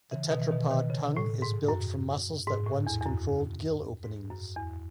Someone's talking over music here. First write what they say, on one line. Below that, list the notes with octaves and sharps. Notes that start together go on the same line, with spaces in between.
The tetrapod tongue is built from muscles that once controlled gill openings.
C#3 E3
C#3
B2 D#3
E3
B2 D#3
B2 D#3
C#3
A2
G#2
F#2
G#2
A2
E2
E2
F#2
G#2
F#2
E2